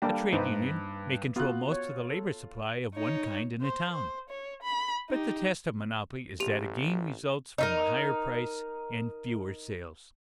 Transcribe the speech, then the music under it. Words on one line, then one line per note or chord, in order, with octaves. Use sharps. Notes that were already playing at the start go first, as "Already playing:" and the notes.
A trade-union may control most of the labor-supply of one kind in a town. But the test of monopoly is that a gain results from a higher price and fewer sales.
G3 A#3 D4 A4 G5
G2 D#4 B4 C5
B3 F4 F#4 F#6
C#5
A4
D#4 C#5
C5
C5
C#5
B5
D#4 G4
A1 G4 F7
D#4 E4 A#4